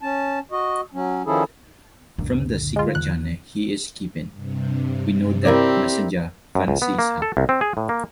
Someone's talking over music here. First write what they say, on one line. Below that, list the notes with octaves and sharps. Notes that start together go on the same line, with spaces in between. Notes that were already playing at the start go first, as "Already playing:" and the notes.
From the secret journal he is keeping, we know that Messenger fancies her.
C#4 A5
F#4 D#5
F#3 C#4
D#3 F3 C#4 E4 G#4 A4
C#2 F#2 A#2 D3
G#3 F4
E2 D#3 E3 F#6
G2 C3
C4 E4 G4 A#4 D5
F#2
C#2
B3
A#3
A4
C2
C4
G#4
A2
A#3